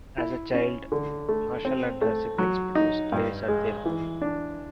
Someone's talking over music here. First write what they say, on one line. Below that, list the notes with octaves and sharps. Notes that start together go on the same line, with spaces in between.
As a child, Marshall and her siblings produced plays at their home.
E4
C#4
D3
A3
C4
A3
F#3
D#4
G2
G#3
E3
D4